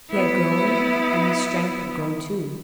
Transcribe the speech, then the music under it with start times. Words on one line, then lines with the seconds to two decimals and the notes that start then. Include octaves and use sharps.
He had grown and his strength had grown too.
0.11 B3 E4